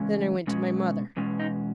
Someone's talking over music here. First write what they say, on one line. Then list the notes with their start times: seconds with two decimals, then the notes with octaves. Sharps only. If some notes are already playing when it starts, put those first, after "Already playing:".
Then I went to my mother.
Already playing: E2 C#3 G#3 C#4
0.47 B2 G#3 C#4
1.17 E2 B2 G#3 C#4
1.39 D#4